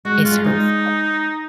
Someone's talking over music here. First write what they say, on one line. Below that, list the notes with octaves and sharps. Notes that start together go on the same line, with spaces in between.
It's her fault.
G#3 F#4
G#3
F4
G#3
G#3 D#4